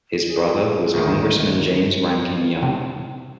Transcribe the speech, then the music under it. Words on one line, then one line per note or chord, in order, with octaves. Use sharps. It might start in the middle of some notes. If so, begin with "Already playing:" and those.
His brother was Congressman James Rankin Young.
G#4
D2 A#2 D#3
C3